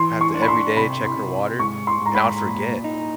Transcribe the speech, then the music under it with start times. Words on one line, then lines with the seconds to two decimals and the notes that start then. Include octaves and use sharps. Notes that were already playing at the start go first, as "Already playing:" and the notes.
have to every day check her water and I'll forget,
Already playing: E3 C6
0.21 C#6
0.35 D4
0.42 B5
0.48 C6
0.76 C3 B5
1.04 C6
1.17 C3
1.60 G#2 C#6
1.87 C6
2.02 G#2 A#5
2.15 B5
2.42 A#2
2.84 D#4